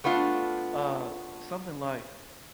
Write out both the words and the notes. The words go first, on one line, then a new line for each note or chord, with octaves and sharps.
uh, something like,
A3 B3 D4 F4